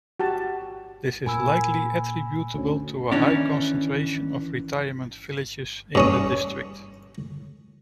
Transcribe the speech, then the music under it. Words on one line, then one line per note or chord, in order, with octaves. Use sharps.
This is likely attributable to a high concentration of retirement villages in the district.
F#4 G4 A5
A#2 A#3 G#5 B5 E6
D2 C#4
D#3 E3 C#4 D4
G2 C#4 D#6